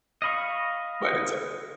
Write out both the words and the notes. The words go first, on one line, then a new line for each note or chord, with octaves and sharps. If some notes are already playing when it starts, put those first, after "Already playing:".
But it's, uh
D#5 F5 B5 C#6